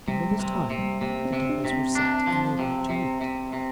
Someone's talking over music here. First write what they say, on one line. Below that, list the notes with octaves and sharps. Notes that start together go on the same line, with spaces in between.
When it was time the tables were set, and they went to meat.
C3 G3
G3
C3
A#3
C3
G3
C3 A#3
C4
C3
D4
C3
C4
D4
F3
C3
C3
C3
C3